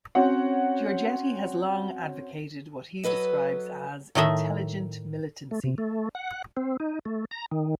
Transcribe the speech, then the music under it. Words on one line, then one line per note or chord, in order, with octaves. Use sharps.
Georgetti has long advocated what he describes as "intelligent militancy".
C4 C#4 F#4 C#5 F#5
F#3 A4 B4 D#5
A2 D#3 A3 D#5 E5
A3
C3
A3
F#5
C4
D#4
A3
A#5
D#3